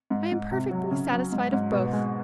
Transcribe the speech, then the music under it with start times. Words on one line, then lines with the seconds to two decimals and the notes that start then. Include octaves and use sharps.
"I am perfectly satisfied of both."
0.10 G#2
0.32 G#2
0.51 C3
0.71 F#3
0.91 C#3
1.12 F#3
1.32 G#2
1.52 G#2
1.72 B2
1.93 G#3